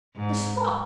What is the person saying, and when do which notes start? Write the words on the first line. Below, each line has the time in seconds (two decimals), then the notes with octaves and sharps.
The spot!
0.15 G#2